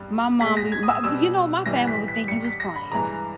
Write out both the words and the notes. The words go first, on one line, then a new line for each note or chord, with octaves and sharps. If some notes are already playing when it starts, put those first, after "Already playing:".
my mom be ma b you know, my family would think you was playing.
Already playing: G2 G3
A#2 G#3 B6
A#6
G#6
D#6
E6
B2 G3 E6
G2 E3 G3 A#6
B6
B6
G2 G3 C#7
B6
A#6
B5
G2 E3 G#3 A#5